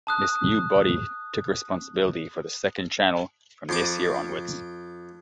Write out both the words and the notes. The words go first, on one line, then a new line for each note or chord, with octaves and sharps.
This new body took responsibility for the second channel from this year onwards.
A5 D#6 F#6
F2 C6 D6